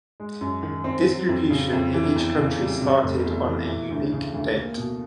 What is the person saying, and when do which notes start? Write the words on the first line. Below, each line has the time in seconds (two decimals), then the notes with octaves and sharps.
Distribution in each country started on a unique date.
0.20 G#3
0.41 F#2
0.63 D#3
0.84 C4
1.06 F#3
1.29 F2
1.51 C#3
1.73 F2
1.93 E3
2.16 E2
2.38 C#3
2.60 G3
2.81 C3
3.03 F1
3.26 E2
3.47 E3
3.68 E3
3.91 D2
4.12 C#3
4.34 D2
4.56 A#3
4.78 B2